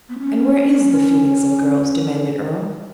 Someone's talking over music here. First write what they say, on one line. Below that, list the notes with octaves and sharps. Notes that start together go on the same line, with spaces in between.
"And where is the phoenix of girls?" demanded Earle.
B3
C#4